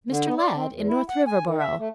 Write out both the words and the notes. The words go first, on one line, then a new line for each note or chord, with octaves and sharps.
"Mr. Ladd, in North Riverboro."
D3
B3
D5
C4
E2
E4
F#5
G#5
D#3
E5
A3